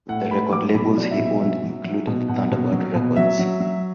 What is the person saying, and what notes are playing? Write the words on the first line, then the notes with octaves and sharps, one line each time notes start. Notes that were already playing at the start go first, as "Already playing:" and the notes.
The record labels he owned included Thunderbird Records.
A2 F#5
A2 B5
F#3 D6
B2 B5
F#3 D5
E5
B2
E5
F#3 E5
F#3
F#3
B2
B2 F#5
B2
F#3
B2
F#3 E5
F#3
F#3